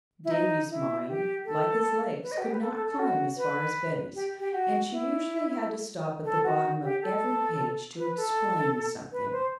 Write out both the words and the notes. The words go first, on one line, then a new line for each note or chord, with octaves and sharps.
Davy's mind, like his legs, could not climb as far as Betty's, and she usually had to stop at the bottom of every page to explain something.
E4
D#4
E4
G4
A4
B4
D#5
F#4
G4
B4
A4
A4
A4
F#4
B4
G4
G4
F#4
E4
A4
F#4
G4
A4
B4
A4
B4
C5